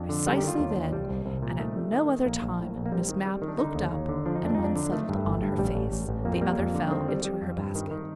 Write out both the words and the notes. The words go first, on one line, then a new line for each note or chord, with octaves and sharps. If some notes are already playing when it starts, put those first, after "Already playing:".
Precisely then, and at no other time, Miss Mapp looked up, and one settled on her face, the other fell into her basket.
Already playing: F2 D4
D3
G3 D#4
G4
D#3 F4
D#2
D4
D#2
C2 G3
C2
C2
A#2
D#3 A3
G3
D#3
D#3
A#1 A#3
A#1
A2
A#1
A#3
G3 C4
D#3
G3
D#3
D4
D3 D#4
D#2
D#2
D3
F3 D4
D#4
F2 D4
F2 D#4
D4
D3
D#3 A3
G2
G1
G2
A1 G3
A1
A1
A1
F2 A#3
C4
G3 A#3
F2
D3
D4
D#3 C4
G3
G3
F2
G2
D#3
D#3